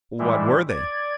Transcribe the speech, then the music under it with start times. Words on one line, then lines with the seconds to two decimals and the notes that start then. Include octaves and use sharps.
"What were they?"
0.19 A2 E3 G3 G#3 E4
0.69 D5 G#6